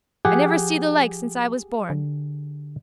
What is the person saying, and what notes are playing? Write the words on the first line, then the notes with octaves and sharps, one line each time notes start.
I never see the like since I was born.
F3 G4 G#4 F#5
D3